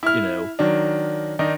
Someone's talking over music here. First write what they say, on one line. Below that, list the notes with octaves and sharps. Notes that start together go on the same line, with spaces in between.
you know,
E4 F6
D#3 F#3 D4
D#3 D4 D#4